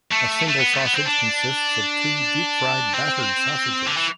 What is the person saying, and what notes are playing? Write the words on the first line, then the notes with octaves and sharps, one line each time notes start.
A single sausage consists of two deep fried battered sausages.
A3
A3
B3
A3
B3
C4
D4
C4
D3
E3